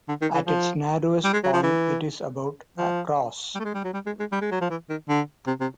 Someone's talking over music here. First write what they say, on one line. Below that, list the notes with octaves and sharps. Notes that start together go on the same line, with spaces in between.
At its narrowest point, it is about across.
D3
D#3
E3
F3
G3
G#3
F#3
F3
E3
F3
G3
A3
G#3
G3
F#3
G3
G#3
G#3
G3
G#3
F#3
F3
E3
D#3
D3
C3
C3